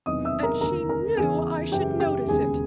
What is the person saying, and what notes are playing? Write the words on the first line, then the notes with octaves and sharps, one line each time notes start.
And she knew I should notice it.
E1 E2 C3 D#3 F#3 D#5 D#6
E5 E6
A#4 A#5
F1 D#2 D3 A#4 A#5
A#4 A#5
E2 C#3 E3 G#4 G#5
F#2 C#3 E3 G#3 G4 G5
G4 G5
E1 D#2 C#3 G#4 G#5